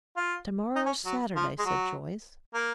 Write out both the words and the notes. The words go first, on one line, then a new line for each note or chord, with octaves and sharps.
"To-morrow's Saturday," said Joyce.
F4
D#4
C#4
F#3
F3
G#3
F#3
A#3